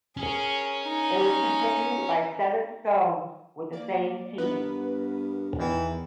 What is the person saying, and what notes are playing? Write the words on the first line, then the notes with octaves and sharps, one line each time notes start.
It was continued by seven stones with the same team.
C#4 G#4 A#4
D#4 G#5
A#3 D5
G2 B3 A#4 B4
E2 D#3 E3